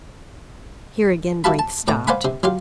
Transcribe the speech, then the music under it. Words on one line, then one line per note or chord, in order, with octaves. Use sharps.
Here again Braith stopped.
E4 F#4 G4 F5 A5 B5
A5
A2 D5 G5 A#5
C5 D5 F5 F#5 G#5 B5
C3
F#3 F4 G4 F5